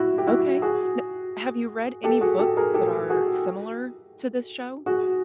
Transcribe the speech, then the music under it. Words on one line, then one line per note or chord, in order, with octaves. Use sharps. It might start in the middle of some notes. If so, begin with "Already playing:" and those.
Okay. N have you read any book that are similar to this show
Already playing: E4 F#4
G4
E4 F#4
F#4 G#4
G4 A4
F#4 G#4
G4 A4
G#4 A#4
G4 A4
F#4 G#4
F#4 G#4